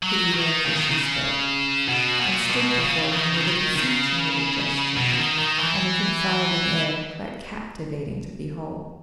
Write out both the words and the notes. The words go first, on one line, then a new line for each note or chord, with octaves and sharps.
Kitty rose as she spoke, and stood before him with a beseeching little gesture, and a confiding air quite captivating to behold.
F#3
D#3
C#3
D#3
C#3
B2
A#2
B2
C#3
D#3
C#3
D#3
C#3
B2
E3
D#3
D#3
E3